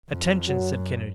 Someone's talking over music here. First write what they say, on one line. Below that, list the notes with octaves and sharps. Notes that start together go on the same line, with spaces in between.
"Attention!" said Kennedy.
F2
F#2 F#3